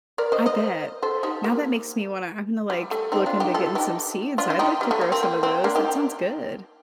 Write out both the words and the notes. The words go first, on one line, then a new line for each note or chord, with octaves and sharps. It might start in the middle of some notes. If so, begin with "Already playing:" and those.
I bet. Now that makes me wanna I'm gonna like look into getting some seeds. I'd like to grow some of those. That sounds good.
A#4 D5
C5 D#5
C5 D#5
A4 C5
D#4 G4
A#3
G3
A3
C4 D#4
D4 F4
D#4 G4
F4 A4
D#4 G4
D4 F4
F4
D#4 G4
G3
A3
A#3
C4
A#3
C4
A#3 D4
D#4 G4